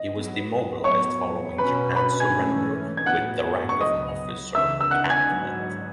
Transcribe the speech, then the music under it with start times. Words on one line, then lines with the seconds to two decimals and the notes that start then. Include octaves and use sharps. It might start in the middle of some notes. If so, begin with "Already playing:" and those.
He was demobilised following Japan's surrender with the rank of officer candidate.
Already playing: D#5
0.10 G#2 F#3 B3
0.84 A2 F#3 B3 C#5 C#6
1.58 B2 F#3 C#4 B4 B5
1.95 B4 B5
2.20 G#5 G#6
2.33 G#2 E3 A3 C#4
2.97 G#6
3.06 A2 F#3 B3 F#5 F#6
3.69 C#6
3.81 C#2 B2 F#3 B3 D#5 D#6
4.54 C#2 C#3 E3 E5 E6
4.81 E6
4.91 F#5 F#6
5.10 G#5 G#6
5.28 G#2 F#3 B3